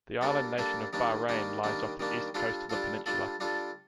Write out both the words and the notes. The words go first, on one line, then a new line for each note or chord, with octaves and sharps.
The island nation of Bahrain lies off the east coast of the peninsula.
G3 A#3 D4 A4
G3 A#3 D4 A4
D#3 G3 A#3 D4
D#3 G3 A#3 D4
D#3 G3 A#3 D4
D#3 G3 A#3 D4
G3 D4 F4 A4
G3 D4 F4 A4
G3 D4 F4 A4
G3 D4 F4 A4